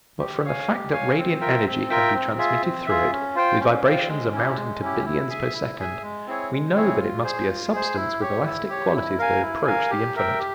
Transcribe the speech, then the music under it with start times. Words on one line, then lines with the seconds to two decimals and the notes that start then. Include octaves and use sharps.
But from the fact that radiant energy can be transmitted through it, with vibrations amounting to billions per second, we know that it must be a substance with elastic qualities that approach the infinite.
0.20 G4
0.44 C#5 F5 G#5
0.68 G4
0.92 C#5 F5 G#5
1.17 C4
1.41 F4 A#4 E5 G5
1.65 C4
1.90 F4 A#4 E5 G5
2.14 C4
2.38 F4 G#4 E5
2.62 C4
2.87 F4 G#4 E5
3.11 C#4
3.35 F4 C5 G5
3.60 C#4
3.84 F4 C5 G5
4.08 G#3
4.32 C#4 E4 G4
4.56 G#3
4.81 C#4 E4 G4
5.05 E4
5.29 G#4 E5 G#5
5.54 E4
5.78 G#4 E5 G#5
6.02 G#3
6.27 C4 E4 G#4 C#5
6.51 G#3
6.75 C4 E4 G#4 C#5
6.99 F4
7.24 G#4 C5
7.48 F4
7.72 G#4 C5
7.96 E4
8.21 G4 C#5
8.45 E4
8.69 G4 C#5
8.94 E4
9.18 A#4 F5 G#5
9.42 E4
9.67 A#4 F5 G#5
9.91 G4
10.16 A#4 E5 G5
10.39 G4